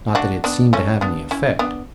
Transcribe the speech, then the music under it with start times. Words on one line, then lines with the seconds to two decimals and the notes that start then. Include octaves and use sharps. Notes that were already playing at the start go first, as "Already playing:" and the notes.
Not that it seemed to have any effect.
0.15 D4 F#4
0.44 B3 D4
0.73 A3 C#4
1.01 B3 D4
1.31 C#4 E4
1.59 B3 D4